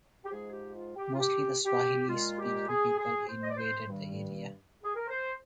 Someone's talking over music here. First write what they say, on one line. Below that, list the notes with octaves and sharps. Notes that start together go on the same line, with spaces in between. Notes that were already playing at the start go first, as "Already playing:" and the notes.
Mostly, the Swahili speaking peoples invaded the area.
G4
G#2 F3 G#3 G#4
G4
F4
G4
F4
G4
G4
A#2 G#3 F4
G4
G#4
G#4
C5
D#5
D5
C5
G2 D#3 G3
G#4
A#4
C5